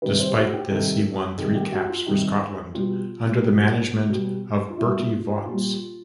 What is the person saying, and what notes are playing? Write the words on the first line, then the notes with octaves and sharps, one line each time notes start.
Despite this, he won three caps for Scotland under the management of Berti Vogts.
C3 D#3 G3 B4
C5
F#4
G4
C3 D#3 G3 A4
C3 D#3 G3 G#4
G4
F#4
F4
C3 D#3 G3 D#4
B2 G3 F4
B2 G3
B2 G3
F4
B2 G3 E4
F4
A#2 G3 F4